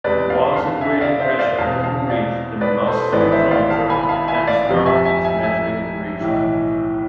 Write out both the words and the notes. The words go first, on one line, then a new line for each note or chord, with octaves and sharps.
Once operating pressure has been reached, the mass spectrometer can start its measuring operation.
E2 C3 G#3 B4 D5
D5 F5
F5 A5
E5 G#5
D5 F5
C5 E5
D5 F5
E2 B2 G#3 C4 F5 A5
F5 A5
D5 F5
B4 D5
A4 C5
G#1 G#2 E3 G#3 B3 B4 D5
C5 E5
D5 F5
F5 A5
G#5 B5
B5
F5 A5
E5 G#5
D5 F5
F2 C3 F3
E5 G#5
E5 G#5
E5 G#5
E5 G#5
B1 A2 E3